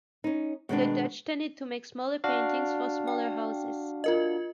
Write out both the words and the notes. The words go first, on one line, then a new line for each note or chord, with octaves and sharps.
The Dutch tended to make smaller paintings for smaller houses.
C#4 D#4
B2 D#3 G#3 B3 C#4 D4
D4 F#4 F5
G5
F4 A#4 D#5